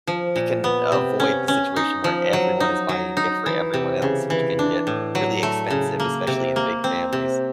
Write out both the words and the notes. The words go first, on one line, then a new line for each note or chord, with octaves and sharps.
you can avoid the situation where everyone is buying a gift for everyone else, which can get really expensive, especially in big families.
F3
A#2
B3
C3
C#4
C#4
D#4
F3
F#3
D#4
F#3
D#4
E3
C3
C#3
E3
D4
A2
F#3
A3
C#3
A#3
C3
A#3
C4
C3